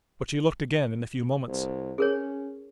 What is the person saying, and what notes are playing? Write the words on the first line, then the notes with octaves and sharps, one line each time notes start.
But she looked again in a few moments.
C2
C#4 G#4 A#4 C#5